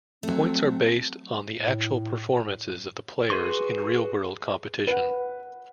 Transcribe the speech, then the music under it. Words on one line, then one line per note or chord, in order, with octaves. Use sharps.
Points are based on the actual performances of the players in real-world competition.
F#3 A3 C4
A2
F#4 G#4 B4 C6 C#6
B4 F#5